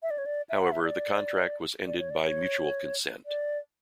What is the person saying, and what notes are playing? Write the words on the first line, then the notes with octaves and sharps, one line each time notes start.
However, the contract was ended by "mutual consent".
E5
D5
C#5
D5
E5
F#5
E5
D5
D5
C#5
D5
C#5
D5